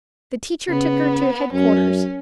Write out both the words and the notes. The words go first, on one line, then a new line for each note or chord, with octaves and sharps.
The teacher took her to headquarters.
C#3 B3
F#2 C#4